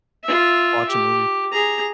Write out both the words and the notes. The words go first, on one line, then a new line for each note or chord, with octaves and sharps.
Watch a movie.
F4 E5
G4
G#4 A#5